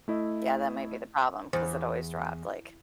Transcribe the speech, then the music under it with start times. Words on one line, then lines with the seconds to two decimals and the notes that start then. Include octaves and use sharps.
Yeah, that might be the problem, 'cause it always dropped, like
0.08 A3 E4 D#5
1.53 E2 C5